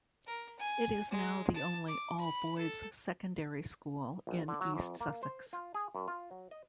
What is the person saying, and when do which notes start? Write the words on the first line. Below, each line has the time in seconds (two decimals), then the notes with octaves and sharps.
It is now the only all-boys secondary school in East Sussex.
0.27 A#4
0.59 G#5
1.11 G#3
1.56 A5
1.87 D6
2.19 B5
2.58 A4
4.27 A#1
4.48 D3
4.61 F#3
4.75 F2
5.01 A#3
5.23 C5
5.53 F4
5.74 G#4
5.95 F#2
6.08 F4
6.31 F#3
6.51 D#5